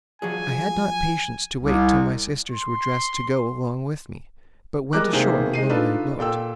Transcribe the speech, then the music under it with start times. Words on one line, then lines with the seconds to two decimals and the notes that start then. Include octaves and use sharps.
I had not patience to wait till my sisters were dressed to go along with me, but went ashore alone in the boat.
0.22 F3 F#3 G#4 G#5
1.62 C2
2.51 C6
4.93 G3 G#3 A#4 D#5 D6 F#6
5.13 C3 D#3 A#3 G4 G#4 C5
5.53 G#3 D#4 C7 D#7
5.69 D4 D#4 F4 A4 B4
6.19 A#2 A4 G5 E6